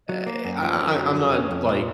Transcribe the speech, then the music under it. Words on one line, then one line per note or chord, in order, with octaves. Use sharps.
Eh I I I'm not, like,
F#3
A#3
F#2
F3
F#2
F#3
F2
C#4
F2
A#2